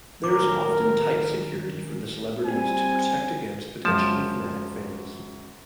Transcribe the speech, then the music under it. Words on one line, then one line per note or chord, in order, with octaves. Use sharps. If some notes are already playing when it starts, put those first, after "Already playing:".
There is often tight security for the celebrities to protect against potentially fanatic fans.
B1 A2 D#3 F#3 C#4 A#4 D6
G3 C4 G#5
F#2 F3 G#3 A5